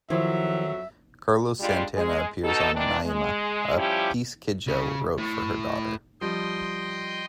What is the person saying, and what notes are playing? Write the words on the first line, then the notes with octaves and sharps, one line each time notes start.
Carlos Santana appears on "Naima", a piece Kidjo wrote for her daughter.
F2 D#3 F3 F#3 E4 E5
G3 G#3 D4 F4
G#3 G#4
B2 D#4 A4
D#3 E3 D4
G#3
F3 G3 C#4 E4 G4
C#3
A2
F3 G3 D#5 G5 C6